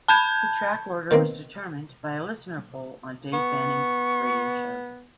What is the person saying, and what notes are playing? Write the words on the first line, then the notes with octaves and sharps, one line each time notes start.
The track order was determined by a listener poll on Dave Fanning's radio show.
A5 B5 G6 G#6
B2 D#3 A#3 C4
B3 C#6